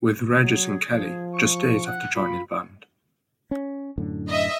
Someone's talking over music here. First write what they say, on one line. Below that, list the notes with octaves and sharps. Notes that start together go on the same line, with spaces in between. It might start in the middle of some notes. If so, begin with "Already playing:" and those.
With Regis and Kelly, just days after joining the band.
F#3 G#4
F3
C#6
F#5
F4 B5
C#4
F#2 A2 D3
D#5 E5